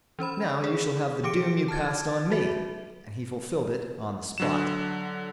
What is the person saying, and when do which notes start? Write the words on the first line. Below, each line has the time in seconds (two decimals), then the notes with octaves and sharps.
'Now you shall have the doom you passed on me', and he fulfilled it on the spot.
0.19 E3 C#4 C5 B5
0.64 G#4
1.24 E3 G4 D6 C#7 D7
1.68 A5 D6 F6 G#6 A6
2.30 F#3 F#4 E5
4.38 D3 F#3 E7